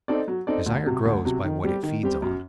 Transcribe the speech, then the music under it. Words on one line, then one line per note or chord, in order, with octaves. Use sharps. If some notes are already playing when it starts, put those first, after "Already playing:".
Desire grows by what it feeds on.
C4 D#4 A4 D5
F#3
C4 D#4 A4 D5
D2
C3 F#3
D2
C3 F#3
D#3
G3 C4 G4
D#3
G3 C4 G4
F#2